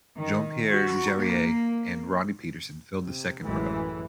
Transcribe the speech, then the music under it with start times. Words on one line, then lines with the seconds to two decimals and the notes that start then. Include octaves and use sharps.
Jean-Pierre Jarier and Ronnie Peterson filled the second row.
0.18 D#3
0.72 F#4
1.17 A#3
3.05 C3
3.43 A1 F#2 E3 G#3 A3